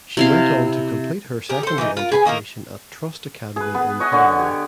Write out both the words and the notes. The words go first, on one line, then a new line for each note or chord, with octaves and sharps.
She went on to complete her secondary education at Trust Academy in Harare.
C3 E4 F5
G4 G#4 A#4
A4 C5
E3 A3 D#4
F4 A#4
G#4 B4 G#5
D#3 A#3 D#4 A#4
G#4 B4
B3
C#5 D#5 F#5 G#5
D3 C#5 G#5
G4